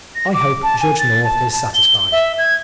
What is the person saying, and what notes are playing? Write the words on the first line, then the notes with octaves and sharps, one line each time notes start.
I hope Judge North is satisfied.
A#6
D6
A5
G#5
A6
A5
A5
G7
E5
G#6